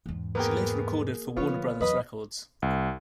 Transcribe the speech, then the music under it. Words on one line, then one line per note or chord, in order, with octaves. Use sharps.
She later recorded for Warner Brothers Records.
E2 G#2
A#3 B3 G#4 A#4 G5
D3 F3 B3 F4 C#5
E2 F#3 B4 D#5 B5
C2